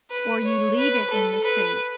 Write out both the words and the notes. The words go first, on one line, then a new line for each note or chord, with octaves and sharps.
or you leave it in the soup
B4
C#5
B4
A4
B4